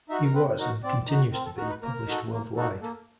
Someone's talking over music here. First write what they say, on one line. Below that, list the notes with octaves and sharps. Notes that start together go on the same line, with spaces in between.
He was and continues to be published worldwide.
D#4 F#4 E5
A#4
C4 B4
D#4 F#4 A#4
C4 D5
D#4 F#4
C4 A#4
A4
D#4 F#4 A#4
B4
A#3 A#4
D#4 F#4 A4
A#3
D#4 F#4 A4
A#3 A4